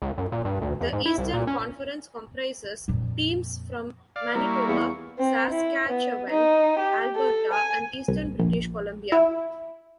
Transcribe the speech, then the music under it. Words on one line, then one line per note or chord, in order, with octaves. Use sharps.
The Eastern Conference comprises teams from Manitoba, Saskatchewan, Alberta and eastern British Columbia.
C#2
F#2
A#2
G2
D2
E2
G#2
E4
C2
A#2
C#4
F2 A#2
D5 F5
G3 A#3 E4 A#4 A#5 C#6
E2 G#4 F5 C#6
C4
E4
B3
D#4
G4
A4
G#5
C2
A#1
E4